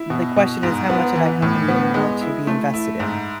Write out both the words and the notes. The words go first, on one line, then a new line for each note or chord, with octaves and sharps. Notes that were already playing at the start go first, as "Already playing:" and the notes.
the question is how much of that company do you want to be invested in?
Already playing: E4
B2
B2
G#2
B3
E3
A2
B3
G#3
E4
A3
E4
G#2